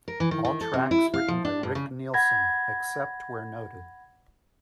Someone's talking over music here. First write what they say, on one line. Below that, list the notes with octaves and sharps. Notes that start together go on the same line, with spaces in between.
All tracks written by Rick Nielsen, except where noted.
A#4
E3
D#3
D#3
A4
C3
E4
F5
F3
D4
G2
C#3
F#5 B5 G#6 A#6